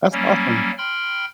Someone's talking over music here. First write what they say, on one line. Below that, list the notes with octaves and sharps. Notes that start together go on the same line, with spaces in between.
that's awesome.
F#3 G3 A#3 C#4
G5 B5 C6 F6